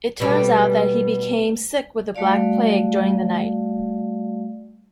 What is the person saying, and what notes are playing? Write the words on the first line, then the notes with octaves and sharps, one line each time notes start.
It turns out that he became sick with the Black Plague during the night.
B2 G3 A3
G3 A3 F#4 D5 F5